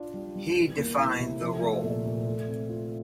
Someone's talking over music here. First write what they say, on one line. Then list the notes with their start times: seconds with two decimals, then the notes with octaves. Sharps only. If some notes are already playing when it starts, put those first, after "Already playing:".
He defined the role.
Already playing: D4 F4
0.14 G3
0.35 G3
0.57 E3
0.78 A#3
0.99 E4
1.20 C3
1.41 F3
1.62 A3
1.84 A#2
2.05 A#2
2.26 A3
2.47 C4
2.69 F4